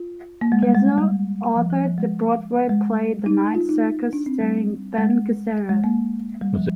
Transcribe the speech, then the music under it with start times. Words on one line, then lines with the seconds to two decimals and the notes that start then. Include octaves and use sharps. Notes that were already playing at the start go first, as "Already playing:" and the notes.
Gazzo authored the Broadway play "The Night Circus" starring Ben Gazzara.
Already playing: F4
0.41 A#3
0.52 G#3
0.63 G3
0.74 G#3
0.98 G3
1.56 F3
1.70 F3
1.84 F3
1.98 G#3
2.69 G#3
3.26 D#4
3.55 F4
3.69 D#4
4.13 D4
4.26 C4
4.41 G3
4.98 G#3
5.69 G#3
5.84 A#3
6.41 G3
6.55 F3